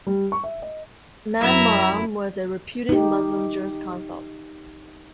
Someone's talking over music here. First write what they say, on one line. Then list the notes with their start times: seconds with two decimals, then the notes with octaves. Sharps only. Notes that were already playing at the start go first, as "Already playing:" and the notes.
Mame Maram was a reputed Muslim jurisconsult.
0.07 G3
0.32 C#6
0.44 E5
0.62 D#5
1.41 F#2 E4 E5 A#5
2.89 D#4 G4